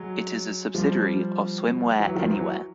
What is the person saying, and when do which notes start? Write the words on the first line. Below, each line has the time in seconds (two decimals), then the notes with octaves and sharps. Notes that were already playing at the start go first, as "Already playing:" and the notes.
It is a subsidiary of Swimwear Anywhere.
Already playing: F#3 G#3
0.74 F3 G3
1.99 E3 F#3
2.15 D#3 F3
2.31 E3 F#3